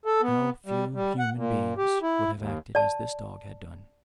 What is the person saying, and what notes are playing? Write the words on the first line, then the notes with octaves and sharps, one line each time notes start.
How few human beings would have acted as this dog had done!
A4
B3
G3
G3
F#5
A#2
G4
E4
D#2
D5 A5